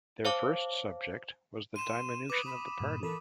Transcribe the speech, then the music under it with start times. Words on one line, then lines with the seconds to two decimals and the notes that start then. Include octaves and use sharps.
Their first subject was the diminution of the party.
0.25 C5 C#5 F5 A5 D6
1.76 C6 D#7 E7
2.30 B4 D6 D#6
2.46 B5
2.80 G2 A#2
3.03 E3 A4 A#4 B5